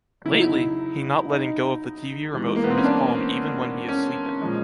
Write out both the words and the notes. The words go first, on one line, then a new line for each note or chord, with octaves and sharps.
Lately, he not letting go of the tv remote from his palm even when he is sleeping.
C#3 F#3 E4
D#4
E4
D#4
C3 E3 G#3
A#3
B3
C4
C#4
D4
C#4
A#2 F3 G#3